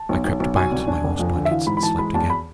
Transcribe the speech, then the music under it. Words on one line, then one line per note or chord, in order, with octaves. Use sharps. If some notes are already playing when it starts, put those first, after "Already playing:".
I crept back to my horse blankets and slept again.
Already playing: A5
B1
B1
B1
B2 G#5
C2
D4
F1
F2
D3
E5
E3 F5
G#2 B5
B5
E3 A5
G#3 B5
E2 A5
B5